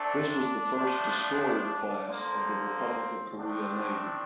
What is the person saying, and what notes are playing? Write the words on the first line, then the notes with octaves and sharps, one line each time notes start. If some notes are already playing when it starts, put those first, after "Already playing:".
This was the first destroyer class of the Republic of Korea Navy.
Already playing: A#2 A3 C4 D4
A2 F3 C4
D3 F3 A#3 C4
A2 A3 C4 D4